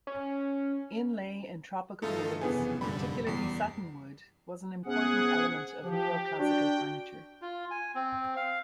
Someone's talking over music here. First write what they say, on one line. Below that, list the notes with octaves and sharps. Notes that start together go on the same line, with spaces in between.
Inlay in tropical woods, particularly satinwood, was an important element of Neo-classical furniture.
C#4
G2 E3 A3 D#4 F4 A4
F1 F#2 C#3 E3 B3 G#4
A#2 D3 G3 B5
E2 G3 C7
C3 B3 C#4 G#4 F#5
F3 G4
D4 F#4 G5
F4
G#5
C4
F5